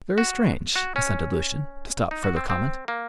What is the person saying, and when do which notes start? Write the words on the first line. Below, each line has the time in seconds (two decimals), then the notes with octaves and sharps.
"Very strange!" assented Lucian, to stop further comment.
0.18 F#4
0.76 F#4
0.96 C#4
2.11 D#4
2.24 F#4
2.37 C4
2.50 C4
2.88 A#3